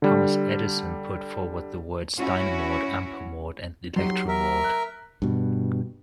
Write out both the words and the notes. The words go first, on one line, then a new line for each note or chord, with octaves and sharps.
Thomas Edison put forward the words "dynamort", "ampermort" and "electromort".
D3 G3
C#4 E4 F#4
F#3 D#4 G4 C6
A#4 E5
F#6
G2 B2